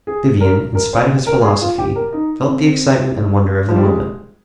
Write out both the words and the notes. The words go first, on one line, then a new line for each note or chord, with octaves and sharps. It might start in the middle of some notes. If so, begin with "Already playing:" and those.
Vivian, in spite of his philosophy, felt the excitement and wonder of the moment.
G#4
A#4
A#4
C5
A#4
G#4
F4
G4
A#4
D#4
C4
F3
G3
G#3